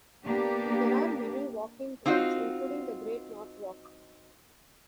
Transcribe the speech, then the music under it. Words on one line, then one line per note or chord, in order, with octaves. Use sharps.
There are many walking trails, including the Great North Walk.
A#3 B3 D4 G4
C4 D#4 F4 F#4